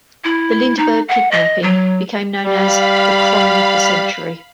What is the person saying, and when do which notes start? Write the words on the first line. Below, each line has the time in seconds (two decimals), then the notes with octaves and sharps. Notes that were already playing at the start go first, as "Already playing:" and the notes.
The Lindbergh kidnapping became known as "The Crime of the Century".
0.24 E4
0.78 D#4
1.09 F#5
1.31 D#5
1.63 F#3
2.43 G3 F5 B5